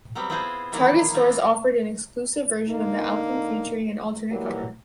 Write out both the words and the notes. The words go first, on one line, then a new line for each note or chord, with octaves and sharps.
Target stores offered an exclusive version of the album featuring an alternate cover.
F#3 G3 B3 C4
B3 C4 E4 F4 G#4 C5
D#3 E3 F#3 A#3 B3 E4
E3 C4 F4
D3 A#3 D#4
E3 F#3 G3 A#3